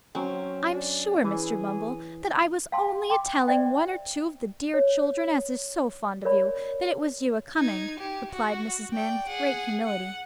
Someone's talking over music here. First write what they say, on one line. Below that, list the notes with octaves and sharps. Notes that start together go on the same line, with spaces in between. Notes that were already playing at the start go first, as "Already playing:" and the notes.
'I'm sure Mr. Bumble, that I was only a telling one or two of the dear children as is so fond of you, that it was you a coming,' replied Mrs. Mann with great humility.
F#3 C4 C#4 F#5
D4
E3 G#4
F5 G5 A5 C6
G5 C6 D6
C5 D5 E5 G5
C#5
A#4 C#5 D5 B5
D#4 G#6
G4
F#4
D5 G5
G#4 F#5
F#5